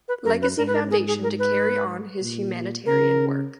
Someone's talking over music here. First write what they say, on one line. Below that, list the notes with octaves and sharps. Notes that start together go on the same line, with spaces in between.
Legacy Foundation to carry on his humanitarian work.
B4
F#2 A#4
B4
G#2 A#4
B4
A#4
G#4
G#4
A#4
B4
A#2
C#3 A#4